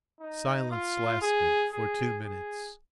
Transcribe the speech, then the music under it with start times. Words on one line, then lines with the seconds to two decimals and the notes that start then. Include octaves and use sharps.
Silence lasted for two minutes.
0.20 D#4
0.71 F4
1.22 G#4
1.73 G#4
2.24 G#4